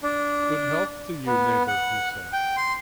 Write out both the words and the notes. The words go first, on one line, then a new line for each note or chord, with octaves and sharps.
"Good health to you, neighbour," he said.
D4
B3
F#5
G5
C6